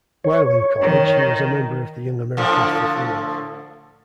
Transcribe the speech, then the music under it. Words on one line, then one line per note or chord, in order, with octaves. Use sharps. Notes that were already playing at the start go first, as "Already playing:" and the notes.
While in college, he was a member of the Young Americans for Freedom.
C#5
D#3
A2 D3 F3